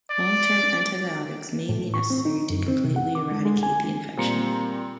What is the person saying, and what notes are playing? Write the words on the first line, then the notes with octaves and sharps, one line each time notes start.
Long-term antibiotics may be necessary to completely eradicate the infection.
D5
A2
C#6
C4
D#4
F#2
C4
C3
F#5
D6
G#3
G#3
G#5
A#2 G3 C4 A#5 C6 C#7